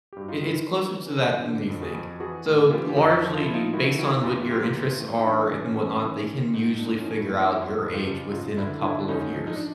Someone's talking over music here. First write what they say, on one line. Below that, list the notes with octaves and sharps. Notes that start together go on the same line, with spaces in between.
It it's closer to that than you think, so largely based on what your interests are and whatnot, they can usually figure out your age within a couple of years,
G4
G2 F#4
D#4 F4
D#3
E3 D4
E3
C#4
E3
D3 D4
F2
F#4 G#4
F2
E3 F#4 G#4
A2
E3 F4 G4
G4
F2 E4 F#4
F3
F4
F3 E4
D#4 F4
D#3 E4 F#4
D#3 E4 F#4
F#2 F4 G4
E3 F4 G4
E3
A2
D#4
E3 D4
C#4 D#4
E3
C#4
E3
C#4
D#3
D#3
G#2
A#2 D4
C#4 D#4
F3
E4 F#4
A#2
D#4 F4
F2 E4 F#4
F2
F4 G4
C#3
F#2 D#4 F4
D3 D4 E4
D3 D4 E4
D4
G#2 C#4 D#4
F3
D#4
D4